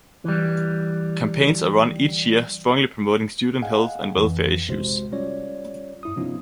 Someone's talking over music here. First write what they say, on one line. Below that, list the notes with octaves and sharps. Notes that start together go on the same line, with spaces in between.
Campaigns are run each year strongly promoting student health and welfare issues.
E3 G3
G#4 D#5 F5 F#5 G#5
F2 E3
A#1 C3 G#3 F#4 C5
G3 C#4 F4 C#5 D5
G2 E4 D#6
C3 F3 B3 C#4 D#4 F4